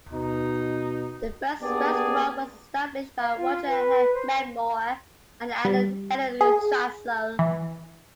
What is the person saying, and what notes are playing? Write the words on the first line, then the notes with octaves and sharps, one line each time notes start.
The first restaurant was established by Roger Meadmore and Allen and Helen Trachsel.
B2 D#4
A#3 B3 D4 G4 G#4 D5
F5
F4
B4
C5
G3
G#4
E3